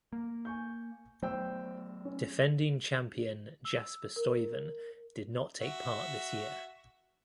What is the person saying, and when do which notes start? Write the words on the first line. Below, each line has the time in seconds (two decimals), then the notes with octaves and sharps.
Defending champion Jasper Stuyven did not take part this year.
0.13 A#3
0.45 G#5 C#6 G6
1.23 F#3 A3 B3 C5 G5 E6
2.05 C#4
3.65 E6
4.16 A#4
5.61 F#4 E5